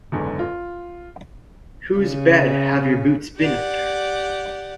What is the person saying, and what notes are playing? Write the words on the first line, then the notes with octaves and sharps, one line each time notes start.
Whose Bed Have Your Boots Been Under?
F#1 E2 G#2 D3
F4
C#3
G4 D5 F#5